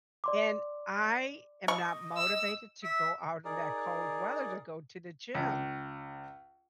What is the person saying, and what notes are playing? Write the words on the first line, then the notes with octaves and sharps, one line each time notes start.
and I am not motivated to go out in that cold weather to go to the gym.
D5 C6 D6
D#5 C#6
E6
E5
D#4 G#4 A#4 D5
C#2